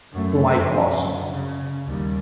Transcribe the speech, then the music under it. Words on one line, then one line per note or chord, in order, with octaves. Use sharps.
To my cost.'
F#2 A3
F2
F#2 D3
C#3
D#2 G3